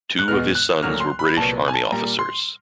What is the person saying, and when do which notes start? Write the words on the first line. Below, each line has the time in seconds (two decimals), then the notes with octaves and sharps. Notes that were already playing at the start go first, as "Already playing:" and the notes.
Two of his sons were British Army officers.
0.19 F#6
0.28 E2 B2 G#3 B3 F6
0.55 F#6
0.82 D2 D3 F#3 A#3 F6
1.00 C6
1.19 B5
1.37 C2 A#2 F#3 B3 A5
1.68 G#5
1.73 A5
1.92 A#2 G3 A#3 A#5
2.19 C6